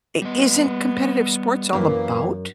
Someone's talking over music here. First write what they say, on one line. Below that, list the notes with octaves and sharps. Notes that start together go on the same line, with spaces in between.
I Isn't competitive sports all about
G3 B3 D#5
F#2 E3 A#3